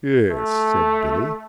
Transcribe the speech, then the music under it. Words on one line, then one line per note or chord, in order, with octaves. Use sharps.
"Yes," said Billy.
A3